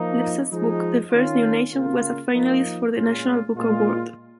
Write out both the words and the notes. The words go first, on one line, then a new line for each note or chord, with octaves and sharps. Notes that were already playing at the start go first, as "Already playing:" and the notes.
Lipset's book "The First New Nation" was a finalist for the National Book Award.
Already playing: F3 A#3 D#4
F3 G#3 D#4
D#3 C#4 F4
C#3 A#3 F4
F3 A#3 D#4
A#2 G#3 C#4 F4
A#2 G#3 F4